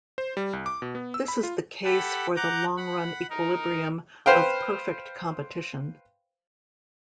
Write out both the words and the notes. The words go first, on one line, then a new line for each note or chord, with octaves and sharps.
This is the case for the long-run equilibrium of perfect competition.
C5
G3
C2
D6
B2
B3
E6
B5
F4
G4 A4 F#5 B5
F#5 A#5 D6 F#6 G6
F#5 B5
D#4 A#4
B4 C5 F5 G5